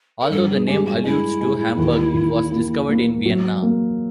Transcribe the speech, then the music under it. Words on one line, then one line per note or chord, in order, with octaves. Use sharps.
Although the name alludes to Hamburg it was discovered in Vienna.
A#4
G2 A4
G#4
G#3 G4
F#4
G#3 E4
G#3
D#2
D#2
A#3
A#3
F#3
A#3